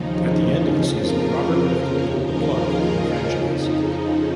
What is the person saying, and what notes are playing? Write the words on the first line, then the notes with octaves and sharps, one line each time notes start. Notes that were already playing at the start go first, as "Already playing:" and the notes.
At the end of the season, Robert Lifton pulled the plug on the franchise.
Already playing: D#2 C#3 F3 D#4
F2 C#3 F3 C#4 F4
F4 A#4
F4 A#4
D#2 C#3 F3 G#4 C#5
F4 A#4
D#4 G#4
F2 C#3 F3 C#4 F4
D#4